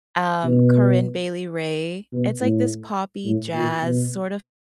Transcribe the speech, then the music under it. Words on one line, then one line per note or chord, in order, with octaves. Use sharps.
um, Corinne Bailey Rae, it's like this poppy jazz sort of
B2
B2
A2
A2
A#2
B2